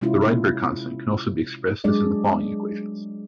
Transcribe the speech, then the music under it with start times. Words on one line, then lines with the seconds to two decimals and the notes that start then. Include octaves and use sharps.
The Rydberg constant can also be expressed as in the following equations.
0.01 C3 G#3 C#4 E4 F4
1.84 F#3 G#3 D4 D5 D#5